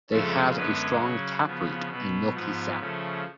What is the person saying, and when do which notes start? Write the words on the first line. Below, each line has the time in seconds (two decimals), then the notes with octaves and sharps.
They have a strong taproot and milky sap.
0.10 F2 C#3 G#3 A3 C#4 A4
0.55 F#2 D3 G#3 B3 C#4 B4
1.00 C#3 F#3 C#4 C#5
1.45 C#3 F3 B3
1.90 B2 F#3 B3
2.34 G#2 F3 B3
2.79 C#3 F3 A3 C#4